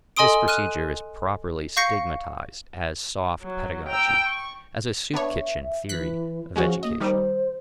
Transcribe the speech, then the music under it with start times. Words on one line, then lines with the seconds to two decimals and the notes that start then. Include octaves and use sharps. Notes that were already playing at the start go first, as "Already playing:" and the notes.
This procedure is properly stigmatized as "soft" pedagogy; as a "soup-kitchen" theory of education.
0.17 A4 D#5 G#5 C6 D#6 D7
0.48 F6 F#6 D#7
1.77 F5 C#6 G6 A#6 C7 C#7
3.42 F#3
3.89 G5 A#5 E6
4.24 C#6
5.14 B3 D4 C#5 E5
5.89 E3 F#6 B6
6.56 F3 G#3 C#4 F#4
6.83 A#3 D#5
7.00 D#3 G3 D#4 C5